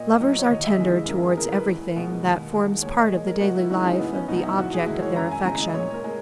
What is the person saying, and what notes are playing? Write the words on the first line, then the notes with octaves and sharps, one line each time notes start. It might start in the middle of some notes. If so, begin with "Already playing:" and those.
Lovers are tender towards everything that forms part of the daily life of the object of their affection.
Already playing: A#2 D#5
F#3 D#5
C#5
D#2 D#5
E5
D#5
C#3 E3 G#3
F#2 A#4
G#4
C#3 E3 G#3 A#4
B4
E2
B2 G#3
D#2
D#3 G#3
A#2 C#5
D#5
G#3
A#4
C#2 F#4
E4
C#3 E3 G#3 D#4
C#4
E2 B3
C#4
B2 F#3 D#4
E4
E2 F#4
G#4
D#3 G#3 E4
C#5
F#2 A#5
G#5
C#3 G#3 A#5
D#5
A#2 C#5
A#4
G#3